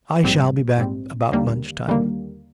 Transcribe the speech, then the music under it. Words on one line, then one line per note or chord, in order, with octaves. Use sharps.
I shall be back about lunch time.'
A#1 G#2 G3 C4
A#1 G#2 G3 C4
D#2 D3 G3 A#3
D#2 D3 G3 A#3